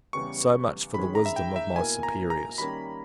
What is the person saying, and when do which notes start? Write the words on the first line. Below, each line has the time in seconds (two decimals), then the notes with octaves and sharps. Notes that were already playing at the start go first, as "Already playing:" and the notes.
So much for the wisdom of my superiors.
0.13 E2 C#3 G3 B3 C#6
0.94 D#3 G#3 C#4 G#4 B5
1.15 A#5
1.26 E5
1.36 G5
1.56 E5
1.76 B2 A#3 E4 A#4 G#5
2.03 A#5
2.30 A#5
2.58 D#3 G3 A#3 C#4 B5